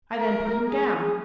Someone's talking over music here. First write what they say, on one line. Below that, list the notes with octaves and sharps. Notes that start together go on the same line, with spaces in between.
I then put him down.
A#4
G#4